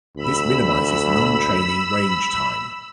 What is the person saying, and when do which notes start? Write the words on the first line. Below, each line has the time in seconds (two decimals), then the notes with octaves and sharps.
This minimizes non-training range time.
0.16 D2 B5 E6